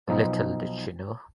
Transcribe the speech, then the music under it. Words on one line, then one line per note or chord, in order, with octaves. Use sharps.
Little did she know.
B1 F3 D#4